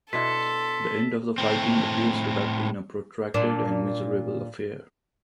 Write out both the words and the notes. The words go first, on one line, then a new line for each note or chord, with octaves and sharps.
The end of the fighting appears to have been a protracted and miserable affair.
B2 D4 E4 A4 C6 B6
A2 C4
A#2 D4